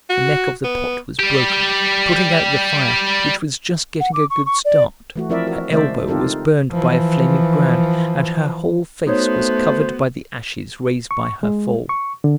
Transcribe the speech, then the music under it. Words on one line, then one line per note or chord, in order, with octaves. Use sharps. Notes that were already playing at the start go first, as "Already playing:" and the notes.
The neck of the pot was broken, putting out the fire, which was just getting a good start, her elbow was burned by a flaming brand, and her whole face was covered by the ashes raised by her fall.
F#4
B3
G3 G4
F#5
D6
C#6
C#6
D5
E3 A3 F#4
F3 C4 E4 A#4 D5 E5
F#4 A#4
C#3 G#3 A3 C5 D5 E5
C4 D#4 F4 G4 A4 A#4
D#4
E3 F3
A3 B3 D#4 F#4 C5 C#5
C#6
G#3
C#6
D3